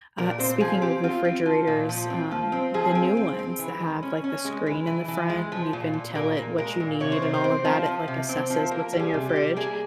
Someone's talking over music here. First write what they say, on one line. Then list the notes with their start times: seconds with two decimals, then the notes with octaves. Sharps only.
uh, speaking of refrigerators, um, the new ones that have, like, the screen in the front, and you can tell it what you need, and all of that, it like assesses what's in your fridge,
0.18 A#2 A#4
0.39 C4 C5
0.60 F3 G#4
0.81 C4 G4
1.04 C4 F4
1.25 C4
1.46 F3
1.67 A#2
1.89 F3
2.10 C4
2.31 F3
2.52 C4
2.74 F3 G#4
2.95 C4
3.17 C4
3.39 C4
3.59 E3
3.80 G#3
4.03 C#4
4.24 C#4
4.45 G#3
4.66 E3
4.87 E3
5.08 E3
5.30 G#3
5.52 F3
5.73 A#2
5.94 A#2
6.15 A#2 A#4
6.37 A#2
6.58 G#3 A#4
6.80 A#2
7.00 C3 C#5
7.12 C5
7.22 C3 A#4
7.34 C5
7.44 C4
7.65 F3
7.86 F3
8.08 C3
8.29 C4
8.50 F3
8.71 A#3 A#4
8.93 G3 G4
8.99 G#4
9.14 C3
9.29 G4
9.36 G3
9.56 A#3 G#4